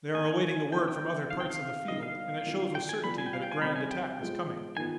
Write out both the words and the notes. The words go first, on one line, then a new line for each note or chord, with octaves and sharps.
They are awaiting the word from other parts of the field, and it shows with certainty that a grand attack is coming.
D#3 B3 D4 G#5
G#5
F3 B3 D4 F4 G5
G5
C3 D#3 B3 F5
G5
F5
D3 G3 B3 D#4 D#5
F5
D#3 B3 D4 F4
G5
G#5
G3 B3 F4 B5
G#5
G5
F5
G5
G#5
C3 G3 C4 B5
G#5
G5
G5
F3 G#3 B3
D#3 B3 F4 G#5